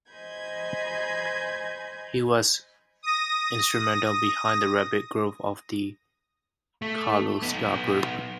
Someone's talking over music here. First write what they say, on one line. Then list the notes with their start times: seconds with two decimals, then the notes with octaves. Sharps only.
He was instrumental behind the rapid growth of the Kirloskar Group.
0.12 C5 D#5 G#5 B5 G6 G#6
3.03 D#6 A#6
6.82 A3
7.42 B3 D#4